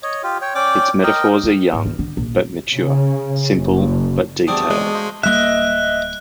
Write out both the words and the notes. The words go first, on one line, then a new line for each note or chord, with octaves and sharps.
Its metaphors are young, but mature, simple, but detailed.
C#5 D#5
F4 G4
C#5 G5
C#4 D5 G5 D6
A#4 D#5 G5
F4
G#2
E4
D3
A#1
C#3
F#1
E2 B2 G3 A3 C4 D4 D#6
G#3
C5 D#5 F5
D1 G3 A#3 D#5 E5 F#6